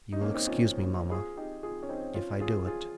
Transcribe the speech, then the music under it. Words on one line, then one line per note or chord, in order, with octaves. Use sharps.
You will excuse me, mamma, if I do it.
D#4
A#3 C#4
C4 D#4
C#4 F4
F4 G#4
D#4 G4
F4 G#4
C#4
C4 D#4
C#4 F4
F4 G#4
F4 G#4